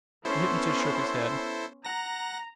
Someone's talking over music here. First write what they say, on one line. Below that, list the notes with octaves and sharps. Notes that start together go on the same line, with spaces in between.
The hypnotist shook his head.
B3 C#4 E4 A4 C5 C6
F#5 A#5 A#6